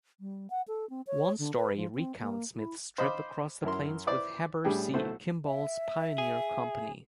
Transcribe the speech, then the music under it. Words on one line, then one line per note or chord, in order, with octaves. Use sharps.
One story recounts Smith's trip across the plains with Heber C. Kimball's pioneer company.
G3
F#5
A4
C4
C#5
D3
B4
F3
C4
A#3
E4
C5 D#5 F5 B5 C6 D6
F#2 E4 A#4 C6
E4 B4 C5 D5
A2 G3 D4 G#4 G5
B1 A3 E4 C5 F#5
E5
G#4